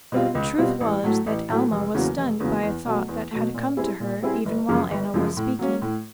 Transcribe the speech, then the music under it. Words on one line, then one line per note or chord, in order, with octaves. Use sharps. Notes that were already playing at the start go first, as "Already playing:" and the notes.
The truth was that Alma was stunned by a thought that had come to her even while Anna was speaking.
B2 G3 C4 F4
C#2
B2 G3 C4 F4
A1
A2 F#3 A3
A1
A2 F#3 A3
F1
E2 C#3 F#3 A#3
F1
E2 C#3 F#3 A#3
E2
B2 F#3 A3
E2
B2 F#3 A3
A#2
G3 C4 E4 G#4
A#2
G3 C4 E4 G#4
G1
F#2 C#3 F3 G#3
G1
F#2 C#3 F3 G#3
A2
F#3 A#3 C#4
A2